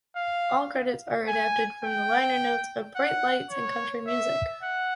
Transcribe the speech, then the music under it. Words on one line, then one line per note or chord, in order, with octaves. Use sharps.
All credits are adapted from the liner notes of "Bright Lights and Country Music".
F5
G#5
G5
F#5
C#5
E5
F#5